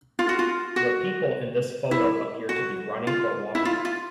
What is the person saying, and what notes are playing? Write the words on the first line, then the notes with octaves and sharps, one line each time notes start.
The people in this photo appear to be running or walking.
F4
F#4
F4
F#4
E4
F#4
F4
E4
F4
F4